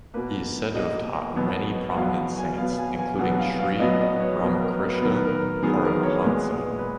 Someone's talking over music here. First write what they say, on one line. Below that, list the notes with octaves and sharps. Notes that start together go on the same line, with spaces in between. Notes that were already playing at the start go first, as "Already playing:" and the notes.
He is said to have taught many prominent saints, including Sri Ramakrishna Paramahansa.
B2 A#3 B4
B2 A#3 D#5
B2 F#3 B3
F#5
B2 F#3 B3 F5
G#5
B2 F#3 B3 F5
G#5
G#5
B2 F#3 B3 F#5
F5
F5
B2 F#3 B3 D#5
D#5
B4
C#5
B2 F#3 B3 A#4
B4
A#4
B4
A#4
B4
D#3 F#3 B3 A#4
B4
A#4
D#3 F#3 B3 G#4
A#4
C#5
A#2 G#3 B3 B4
B4